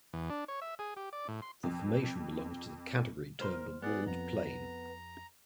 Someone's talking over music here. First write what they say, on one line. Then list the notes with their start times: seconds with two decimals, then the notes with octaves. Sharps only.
This formation belongs to the category termed a walled plain.
0.13 E2
0.30 D4
0.48 C#5
0.62 E5
0.79 G#4
0.96 G4
1.13 D5
1.28 A2
1.42 C6
1.63 F2
3.40 C2 A#4 C5 C6 F6
3.82 B3 G#4 D5 F#5
4.07 F2 A#5